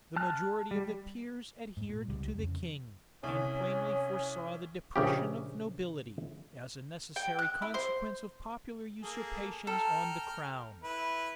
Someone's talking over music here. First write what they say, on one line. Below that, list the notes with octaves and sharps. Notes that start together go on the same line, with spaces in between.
The majority of the peers adhered to the king, and plainly foresaw the depression of nobility, as a necessary consequence of popular usurpations on the crown.
A5 F6 F#6
G3
G#2
A#2
C#2 G3 G#3
F2 C#3
C2 C#4 G#4 C#5
A#1 C#3 G4
G5
F#6
E4
C5
A#3 G#4 A4
A4 G5 A#5 F6
E4 B4